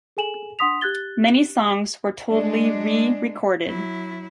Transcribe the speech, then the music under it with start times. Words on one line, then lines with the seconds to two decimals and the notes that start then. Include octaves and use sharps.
Many songs were totally re-recorded.
0.17 G#4 A4 G#5 E7 F#7
0.59 D4 F#5 C6 D#6 B6 F7
0.81 G4 F#6 G#6 A6 G7
2.30 G#3 D4
3.66 F#3 E4